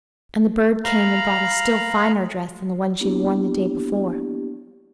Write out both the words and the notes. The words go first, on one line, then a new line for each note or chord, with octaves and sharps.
And the bird came and brought a still finer dress than the one she had worn the day before.
F5 A#5 B5
A#3 B3 D4 E4 G4